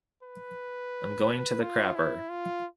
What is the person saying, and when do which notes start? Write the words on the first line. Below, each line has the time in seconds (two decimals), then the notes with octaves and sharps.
"I'm going to the crapper".
0.23 B4
1.61 F4
1.95 E4
2.30 F4